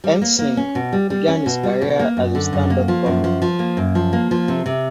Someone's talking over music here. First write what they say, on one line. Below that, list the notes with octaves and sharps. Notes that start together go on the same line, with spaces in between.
Henson began his career as a stand-up comic.
G3
A#3
A#3
C#4
B2
G3
G3
C#4
B2
G3
B2
A#3
F#2
D3
F#2
A#3
F3
F#2
F3
F3
A#3
F#2
F3
A#3
F3
C3
C3